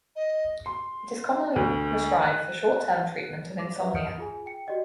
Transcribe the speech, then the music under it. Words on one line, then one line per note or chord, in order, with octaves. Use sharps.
It is commonly prescribed for short-term treatment of insomnia.
D#5
C6
D2
F#6
D6
G4 B4 E5 F5
D#6 F6 G6 C#7 D7
F4 G#4 G#5
G5 C#7
F#4 G4 D5 D#5 F#5